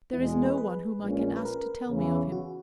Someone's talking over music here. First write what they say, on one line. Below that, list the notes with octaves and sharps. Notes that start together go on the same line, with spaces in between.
There is no one whom I can ask to tell me of him.
E2 B2 G#3 E4
G#4
B4
B4
A#1 A#2 G#3 C#4
B4
A#4
E2 C#3 E3
F#4